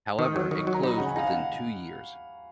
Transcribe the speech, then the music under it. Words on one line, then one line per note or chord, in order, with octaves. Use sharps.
However it closed within two years.
D#3 D#6
F#3
D#3 C#6
F#3
A#5
D#4 B5
C#3 F#5
G#5
D#4 F5
F#5